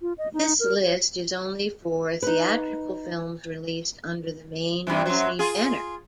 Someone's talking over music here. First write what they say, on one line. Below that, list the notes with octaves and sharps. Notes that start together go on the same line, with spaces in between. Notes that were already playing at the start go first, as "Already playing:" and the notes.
This list is only for theatrical films released under the main Disney banner.
F4
D#5
D#4
A#4
C#5
D#4 B4
G2 C3 E3
F#2 F#3
F4 G#4